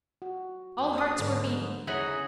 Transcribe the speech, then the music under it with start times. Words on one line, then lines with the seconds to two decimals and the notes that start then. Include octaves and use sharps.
All hearts were beating.
0.22 F#4
0.78 F2
0.98 D#6
1.18 G#2 D3 A4 B4
1.87 E2 C#3 E3 D#4 F#4 G#4 C#5 E5